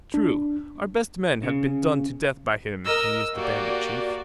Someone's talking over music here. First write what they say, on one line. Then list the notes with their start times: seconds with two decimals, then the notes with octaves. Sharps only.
"True, our best men have been done to death by him," mused the bandit chief.
0.14 D4
1.43 C#3
2.86 A#4 D#5 E6
3.34 A#3 F#4 G4 D5